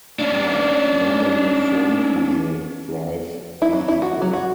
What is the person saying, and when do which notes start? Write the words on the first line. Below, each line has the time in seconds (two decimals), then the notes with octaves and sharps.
How: Normally front-wheel drive vehicle.
0.19 C#4 D4
3.62 E4
3.73 F#3
3.88 E4
4.02 F#4
4.22 F#3
4.33 F#4